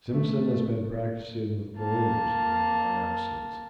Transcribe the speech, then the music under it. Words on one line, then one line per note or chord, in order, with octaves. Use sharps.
Simpson has been practising with balloons during our absence.
A3
A#3 A5